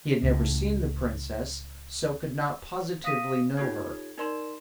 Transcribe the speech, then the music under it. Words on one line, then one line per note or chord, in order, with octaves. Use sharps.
He had never seen the princess, so could not positively know her.
C#2 A2
F5 D#6 A#6 B6 D#7
D#4 F4 G4 A4 C#5 G#6
D#4 A#4 D5 C6 E7